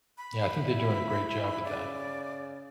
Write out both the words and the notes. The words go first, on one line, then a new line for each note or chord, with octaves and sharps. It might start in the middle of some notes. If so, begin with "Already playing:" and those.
Yeah, I think they're doing a great job with that
B5
E4
C#3 D5